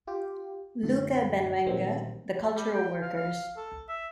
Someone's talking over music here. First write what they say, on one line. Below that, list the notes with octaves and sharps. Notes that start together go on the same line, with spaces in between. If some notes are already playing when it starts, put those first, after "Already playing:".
Luca Benvenga The cultural workers.
F4 G4
F#2 A2 D3
A#2 D#3 E3 F#3 G3 C4
G3
G5
F5
F5
A4
E5